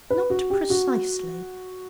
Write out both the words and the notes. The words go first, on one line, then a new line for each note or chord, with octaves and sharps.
Not precisely.
B4
F#4
G4
F#4